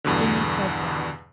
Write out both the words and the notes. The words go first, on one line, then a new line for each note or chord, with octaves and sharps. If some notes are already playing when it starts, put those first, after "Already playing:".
Dounia sat down.
E2 G2 B2 D3